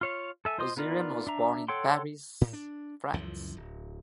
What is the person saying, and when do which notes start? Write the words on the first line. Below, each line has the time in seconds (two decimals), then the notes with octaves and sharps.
Lusseyran was born in Paris, France.
0.01 F4 C#5 F5
0.45 A4 E5 G#5
0.58 F4 C5 D#5 C6 D#6
0.77 B3 D#4 F4 A#4 D5
1.27 D4 E5 A#5
1.68 A4 C#5 F#5 G5 C6
2.41 A2
2.53 D4
3.14 C#2 F#2 E3 F3
3.57 D1